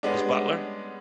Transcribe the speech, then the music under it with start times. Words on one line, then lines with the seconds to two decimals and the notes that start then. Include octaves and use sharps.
His butler?
0.03 G3 G#3 B3 C#4 D4